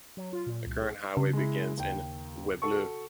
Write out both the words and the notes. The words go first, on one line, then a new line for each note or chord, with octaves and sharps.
The current highway begins in Weableau.
F#3
F4
A#2
C2
G#4
C#3
G#3 E4
D#2 G5
F#4 A4 C#6